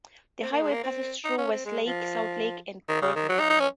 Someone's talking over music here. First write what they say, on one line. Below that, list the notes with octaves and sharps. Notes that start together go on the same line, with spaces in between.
The highway passes through Westlake, Southlake, and Grapevine.
C4
A#3
G#3
A#3
C4
D#4
C#4
C4
G#3
F3
D#3
C#3
D#3
F#3
D#4
D#4
C#4